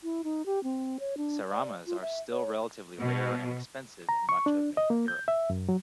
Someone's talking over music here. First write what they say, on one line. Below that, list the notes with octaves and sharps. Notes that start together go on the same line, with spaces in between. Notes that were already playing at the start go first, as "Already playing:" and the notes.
Seramas are still relatively rare and expensive in much of mainland Europe.
E4
D#4
G4
C4
C#5
D4
D5
F4
E5
C#5
B2
A#5
C#6
D4
D#5
A#3
G6
E5
F#2
F#3